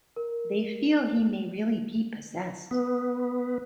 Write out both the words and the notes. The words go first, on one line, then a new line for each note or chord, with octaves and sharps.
They feel he may really be 'possessed'.
A#4
B3